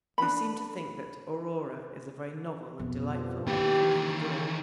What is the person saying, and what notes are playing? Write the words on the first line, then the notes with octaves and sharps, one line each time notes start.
They seem to think that 'Aurora' is a very novel and delightful epithet for the dawn.
D4 B5
F2 B2
G2 D3 F3
D#3 A#3 E4 G4 B4
D#3 E3
C#3